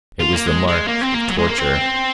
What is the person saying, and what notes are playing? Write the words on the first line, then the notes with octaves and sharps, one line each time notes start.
It was the mark of--torture!
F4
A#3
G#3
G#3
A#3
C4
A#3
F#3
G#3
A#3
C4